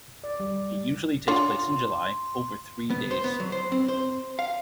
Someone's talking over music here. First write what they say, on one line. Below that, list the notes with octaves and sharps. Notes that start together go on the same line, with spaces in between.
It usually takes place in July over three days.
D5
G3
D4 F4 C#5 C6
B3
C5
B3
F#3
C5
C4
C5
F5